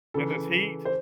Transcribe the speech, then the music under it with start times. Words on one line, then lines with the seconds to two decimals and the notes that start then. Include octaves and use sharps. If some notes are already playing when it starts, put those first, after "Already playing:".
In this heat?
0.14 C#3 E3 A4
0.85 C5